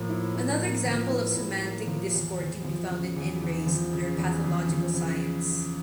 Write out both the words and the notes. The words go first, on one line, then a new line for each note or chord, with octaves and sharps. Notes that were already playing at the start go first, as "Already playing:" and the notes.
Another example of semantic discord can be found in N-rays under pathological science.
Already playing: A2 F3 A#3
E4
A2
A#3
F3
E4
A2
A#3
F3
E2
E2
F3
C#3
E2
E2
F3
C#3
E2
E2
F3
C#3